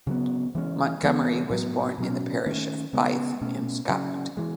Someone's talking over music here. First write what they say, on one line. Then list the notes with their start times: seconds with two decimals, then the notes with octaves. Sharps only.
Montgomerie was born in the parish of Beith in Scotland.
0.07 C#3 F#3 B3
0.55 E3 G#3 C#4
1.03 E3 G#3 B3
1.50 A2 F#3 B3
1.98 B2 F#3 C#4
2.46 D#3 A3 C#4
2.93 C#3 G#3 B3
3.41 B2 A3 C#4
3.89 C#3 F#3 C#4
4.37 E3 G#3